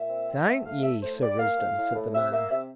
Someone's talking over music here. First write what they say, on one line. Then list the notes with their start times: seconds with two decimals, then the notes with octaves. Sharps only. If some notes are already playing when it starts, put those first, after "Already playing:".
"Thank ye, Sir Risdon," said the man.
Already playing: A#2 E5
0.09 C4
0.28 C4
0.47 A3 E5
0.65 A3 F5
0.83 A3 E5
1.02 A2 C5
1.22 G3 D5
1.39 A#3 F5
1.59 A2
1.77 A2
1.95 A2
2.14 C3 E5
2.32 A#3 E5
2.50 C3 E5